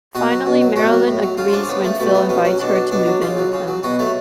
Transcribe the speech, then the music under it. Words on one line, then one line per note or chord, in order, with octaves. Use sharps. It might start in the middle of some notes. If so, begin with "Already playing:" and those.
Finally, Marilyn agrees when Phil invites her to move in with him.
B2 F#4
F#3
B2
F#3
A2 F#4
F#3
A2
F#3
C#3 F4
F4
F3 D4
C#4
C#3 B3
F3 A3
B2 A3
F#3 B3
B2 C#4
F#3 C#4
B2 D4
F#3
B2 D4
F#3
C#3 F4
F#3
C#3
F#3
B2 F#4
F#3 A3